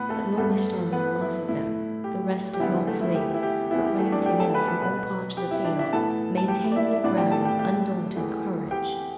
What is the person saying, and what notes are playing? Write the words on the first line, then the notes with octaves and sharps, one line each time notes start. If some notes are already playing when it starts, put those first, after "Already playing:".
But notwithstanding the loss of him, the rest did not flee, but running together from all parts of the field, maintained their ground with undaunted courage.
Already playing: A2 E3 B3 B4
A3 A4
G2 G3 A3 B3 A4
B3 B4
E4
A2 A3 E4
G4
G4
E2 D3 G3 B3 E4
A3 A4
E4
G4
E4
G4
E2 E3 B3 E4
G4
A3 A4
D4 D5
G4 G5
A4 A5
B4 B5
A4 A5
B2 B3 B4 B5
G4 G5
E4 E5
D4 D5
E4 E5
A2 E3 B3 A4 A5
A5
G4 G5
D5
E4 E5
E5
A2 E3 B3 D4 D5
G4 G5
A4 A5
G4 G5
G4 G5
E2 E3 A3
G4 G5